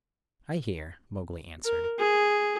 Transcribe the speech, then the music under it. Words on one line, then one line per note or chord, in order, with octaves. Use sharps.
"I hear," Mowgli answered.
A#4
G#4